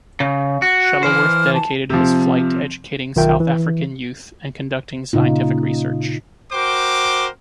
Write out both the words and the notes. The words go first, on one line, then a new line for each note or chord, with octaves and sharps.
Shuttleworth dedicated his flight to educating South African youth and conducting scientific research.
C#3
F#4
F#6
E3 C5 F6
A5
C3 F3
B1 D#3 F4 A#4 E5 G5
E3
A#2 C#3 D#4 F4
F#4 A#4 C5 G5 D6